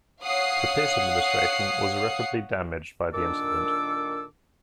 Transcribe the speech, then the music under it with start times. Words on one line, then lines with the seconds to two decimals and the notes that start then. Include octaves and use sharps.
The Pierce Administration was irreparably damaged by the incident.
0.21 C#5 F5 F#5 D#6 C7
3.13 A#2 D#3 D4 A4 D6 E6